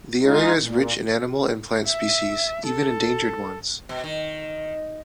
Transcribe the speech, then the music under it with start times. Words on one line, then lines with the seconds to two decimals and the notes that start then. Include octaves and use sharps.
The area is rich in animal and plant species, even endangered ones.
0.22 G#3 D#4 F4
0.54 A#2
1.86 E5
2.66 A4
3.89 B2
4.04 D#3